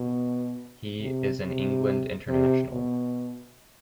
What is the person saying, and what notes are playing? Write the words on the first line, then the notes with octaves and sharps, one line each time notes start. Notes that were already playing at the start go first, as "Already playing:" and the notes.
He is an England international.
Already playing: B2
C3
C3
C3
B2